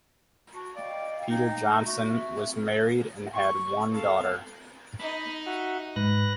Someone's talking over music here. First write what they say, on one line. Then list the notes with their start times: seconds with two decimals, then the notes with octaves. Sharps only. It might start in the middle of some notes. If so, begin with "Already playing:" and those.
Peter Johnson was married and had one daughter.
0.53 F#4
0.76 D5 D#5 F5 G5
1.30 D#4
1.86 F#4 E5
3.33 C#6
3.91 A4 F5
5.00 D#4 D#5 B5
5.46 F#4 E5 F#5
5.96 G#2 B4 F#6 A#6